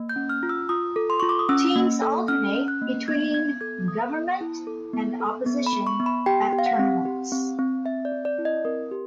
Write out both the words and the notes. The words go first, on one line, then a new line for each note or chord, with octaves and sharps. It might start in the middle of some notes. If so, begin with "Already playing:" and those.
Teams alternate between government and opposition at tournaments.
Already playing: A#3
G6
C#4
F6
F4
E6
F4 D#6
A4
C6
F4 C#6
D6
D#6
C#4 E6
A#3
A4
C#4 F6
C#4
F#6
A#3
B3 G#6
B3 G#6
A4 G#6
B3 D#6
B3
E4
A4
B3
A4
B3
B5
B3
C#6
B3
B5
G4 G5
G4
F5
F#5
C4
G4
C4
C4
C4 E5
D5
C4
D5
E4
D#5
C4 A#4
G4